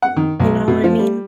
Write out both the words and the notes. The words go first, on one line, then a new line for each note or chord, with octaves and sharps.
Mm-mm, you know what I mean?
F#5
D#3
B1
B2
F3
G3